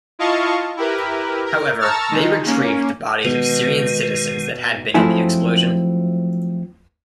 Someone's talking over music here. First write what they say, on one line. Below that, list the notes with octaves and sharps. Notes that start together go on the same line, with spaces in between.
However, they retrieved the bodies of Syrian citizens that had been in the explosion.
E4 F4 D#5 F5 A5 C#6
E4 G4 A#4 B4
A#4
A5 A#5 C#6 E6 F6 A6
D#3 G#3 D#4
A#3 C#4
B2 D#3 G#3
F3 F#3 A3 C4 E4 G#4